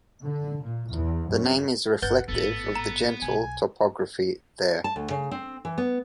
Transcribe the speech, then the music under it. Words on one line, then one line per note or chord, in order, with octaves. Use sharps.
The name is reflective of the gentle topography there.
D3
A#2
E2
F#2
G1 B4 F#5 G6 A6
G#1 A2 B3 A4
A#5
B1 G#5
A5
D2
C#3
C4
E3
B3